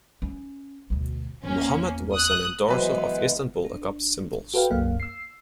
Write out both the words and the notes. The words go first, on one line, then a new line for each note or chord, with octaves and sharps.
Muhammad was an endorser of Istanbul Agop Cymbals.
C#4
D2 B2
E2 A#3 C#4
D#6 F#6
E3 F#3 G#3 B3 B4 C5
D4
F#4 A4 B4 F5 G5
C2 F#2 A#3 F5
E6 C7